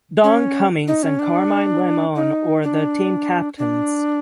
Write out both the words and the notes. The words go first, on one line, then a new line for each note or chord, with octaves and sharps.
Don Cummings and Carmine Limone were the team captains.
C#4
D#4
C#4
D4
D#4
D4
D4